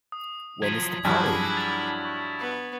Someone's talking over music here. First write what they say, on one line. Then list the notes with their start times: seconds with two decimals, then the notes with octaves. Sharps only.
When is the party?
0.12 D#6
0.62 F3 F#3 G#6 B6 F#7
1.05 G2 F3 F#3 D4 E4 G#4
1.57 A6 F7
2.05 C#6
2.39 B3